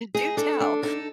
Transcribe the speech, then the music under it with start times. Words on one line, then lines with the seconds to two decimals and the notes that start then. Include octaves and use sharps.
Do tell.
0.15 D#4 G#4
0.37 D4 A4
0.61 D4
0.83 D#4 A4